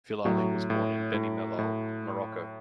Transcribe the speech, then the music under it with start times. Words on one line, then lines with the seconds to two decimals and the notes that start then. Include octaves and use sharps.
Filali was born in Beni Mellal, Morocco.
0.25 A2 F#3
0.70 A2
1.14 A2
1.59 A2